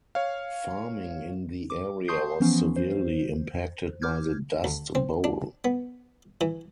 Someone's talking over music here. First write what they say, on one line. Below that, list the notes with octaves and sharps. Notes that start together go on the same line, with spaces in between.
Farming in the area was severely impacted by the dust bowl.
C#5 F5
D6
A5 C6 C#6 D#6 G6 C7
E3 F3 B3 C#4
C5
D6 F6 G6 G#6
D2
C4
D4
B3
E3